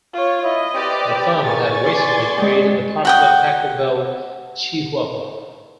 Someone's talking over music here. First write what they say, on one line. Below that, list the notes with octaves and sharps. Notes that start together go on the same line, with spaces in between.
The firm had recently created the popular Taco Bell chihuahua.
F4 C#5
E4 D#5
C4 G4 B4 D5
E2 A#4 G#5 C#6 A6
D5 C6
G2 G#3
F#4 G5 D#6